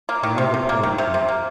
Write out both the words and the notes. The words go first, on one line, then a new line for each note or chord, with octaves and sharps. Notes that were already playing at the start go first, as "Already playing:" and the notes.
"Now the poetry."
A#3
D#3
C3
C3
A#3
D#3
C3
C3
A#3